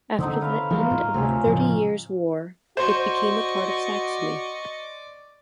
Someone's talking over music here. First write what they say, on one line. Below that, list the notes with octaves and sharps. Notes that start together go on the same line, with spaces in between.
After the end of the Thirty Years' War it became a part of Saxony.
D3 C4 D#4 A4
B4 C#5 F5
E3 G3 G#3 A#4 F5 C6
G#2 F4
D2 C3 C4 C#4 G#5
A2 C#3 F3
F#4 C5 D5 D#5 C#6